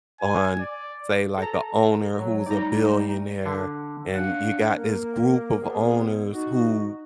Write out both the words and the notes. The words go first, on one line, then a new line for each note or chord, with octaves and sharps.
on, say, like, a owner who's a billionaire, and you got this group of owners who
G#5
D5
A4 A#5
F#3
G3 A3 D#4 D5 A#5
D3
D4 F5 F#5
A#3 A#4
D2 B3 G#4
D#4 F#4